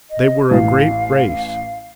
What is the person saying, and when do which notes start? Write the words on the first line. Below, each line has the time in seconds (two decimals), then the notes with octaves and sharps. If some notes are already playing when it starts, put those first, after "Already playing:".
They were a great race.
0.11 D#5
0.51 A1 E3 F5